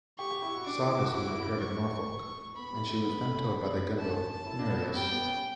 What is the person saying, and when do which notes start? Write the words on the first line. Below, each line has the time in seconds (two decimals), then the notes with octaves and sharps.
"Saugus" was repaired at Norfolk and she was then towed by the gunboat "Nereus".
0.18 G4 C#6
0.31 G4
0.42 E4
0.55 F#4
0.66 D4 D6
0.82 E4
0.98 F#4
1.13 E4 D6
1.23 F#4
1.30 E4
1.41 E4
1.45 D4
1.61 C#6
2.56 B3 B5
2.73 G3
2.88 A3
3.03 B3
3.20 A3
3.36 C#4
3.52 B3
3.99 C#4 A5
4.46 E4
4.59 D4
4.70 B3
4.82 F#3
4.94 G3 G5
5.10 B3
5.27 C#4